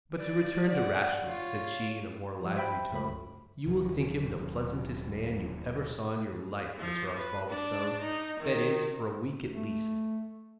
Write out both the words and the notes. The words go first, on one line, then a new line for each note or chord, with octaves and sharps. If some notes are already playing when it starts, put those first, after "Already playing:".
But to return to Rashleigh," said she, in a more lively tone, "you will think him the pleasantest man you ever saw in your life, Mr. Osbaldistone,--that is, for a week at least.
D5
D5 F#5
F4 C#5
F3 G3
C5 E5 G5 B5
C#2 A3 B5
D#1 C3 D#3 F#3
F3
B4
D4
D#4
D#3
A3